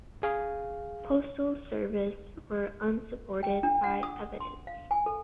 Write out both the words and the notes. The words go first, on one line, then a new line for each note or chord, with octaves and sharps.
Postal Service were unsupported by evidence.
G#4 F5
G5
D4
F#5
D#6
C6
F5
G#5
A4